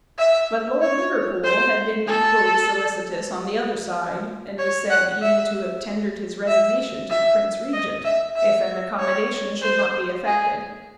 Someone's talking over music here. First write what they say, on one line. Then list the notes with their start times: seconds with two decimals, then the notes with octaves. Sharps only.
But Lord Liverpool had been equally solicitous on the other side, and was said even to have tendered his resignation to the Prince Regent, if an accommodation should not be effected.
0.18 E5
0.81 C#5
1.44 C5
2.08 A4
4.59 C#5
4.90 F#5
5.22 E5
6.48 E5
7.10 E5
7.73 D#5
8.05 E5
8.36 E5
8.99 C#5
9.62 C5
10.26 G#4